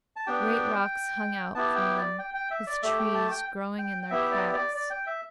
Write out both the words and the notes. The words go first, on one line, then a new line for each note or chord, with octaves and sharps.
Great rocks hung out from them, with trees growing in their cracks.
A5
B3 D4 G4 G5
B3 E4 G4 A5
G5
D5
G5
G5
E5
D5
A3 G4 E5
G5
A5
G5
G5
G5
B3 E4 G4 E5
D5
D5
D5
G5
E5